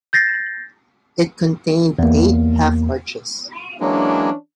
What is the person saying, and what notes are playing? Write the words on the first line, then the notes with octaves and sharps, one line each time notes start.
It contained eight half-arches.
G6 A6 A#6 C7
E2 A#3
E3 F#3 G#3 A#3 C#4 D4